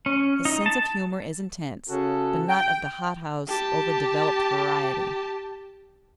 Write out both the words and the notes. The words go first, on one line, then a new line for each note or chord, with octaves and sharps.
His sense of humor is intense, but not of the hothouse, overdeveloped variety.
C#4
D#4
A5
C#3 C#4 F#4 A4
G5
G4 A5